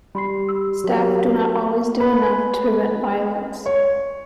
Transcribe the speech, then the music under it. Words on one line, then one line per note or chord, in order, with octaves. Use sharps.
Staff do not always do enough to prevent violence.
G3 B5 C6 C7
E6
F#3 G4 A#4
B4
C#5